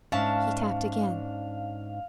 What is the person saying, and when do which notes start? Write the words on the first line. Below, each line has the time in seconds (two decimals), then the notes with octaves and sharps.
He tapped again.
0.12 G#2 C#4 D4 E5 F5 A5